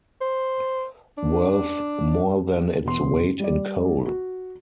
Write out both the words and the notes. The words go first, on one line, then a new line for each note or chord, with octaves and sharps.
Worth more than its weight in coal!
C5
D4
E1 B3 C6
G3 D5
F#4